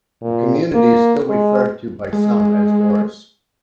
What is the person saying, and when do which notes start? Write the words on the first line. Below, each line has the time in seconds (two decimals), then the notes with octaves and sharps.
The community is still referred to by some as Dorris.
0.22 A#2
0.74 A#3
1.29 G#3
2.13 G#3